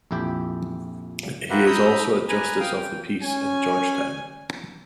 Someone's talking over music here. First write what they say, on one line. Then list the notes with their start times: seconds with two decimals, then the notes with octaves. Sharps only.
He is also a Justice of the Peace in George Town.
0.11 A#1 F2 E4 G4 G5
1.50 F4 G4 A#4 B4 E5 F#5
1.66 A#5 B5 D#6 E6 G6
2.29 B4 G#5 A#5
2.60 F5 G5 D#6
2.76 G5
3.23 C#4 G#5